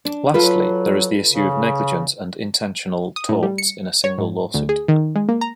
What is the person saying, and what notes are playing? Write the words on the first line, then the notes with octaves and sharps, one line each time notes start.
Lastly, there is the issue of negligence and intentional torts in a single lawsuit.
D4
F#3 F4 A4 B4
C#3
D#6
A2
G3
C#7
C#5
G#2
D2
G#4
D#3
G#3
A#3
A#5